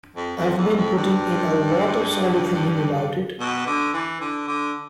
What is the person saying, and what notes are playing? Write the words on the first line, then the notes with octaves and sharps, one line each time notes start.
I've been putting in a lot of solid thinking about it.
F2
F2
E2
F2
G2
B2
D3
E3
D3
D3